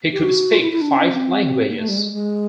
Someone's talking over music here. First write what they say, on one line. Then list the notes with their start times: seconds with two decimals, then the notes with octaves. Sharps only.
He could speak five languages.
0.13 G4
0.23 F#4
0.52 F4
0.62 E4
0.72 E4
0.81 D4
0.90 C#4
1.00 C#4
1.10 C4
1.69 A#3
1.78 A3
1.88 G3
1.98 G#3
2.12 G#3